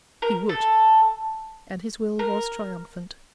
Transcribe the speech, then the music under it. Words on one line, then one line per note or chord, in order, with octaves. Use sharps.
He would; and his will was triumphant.
A#4
A4
A#4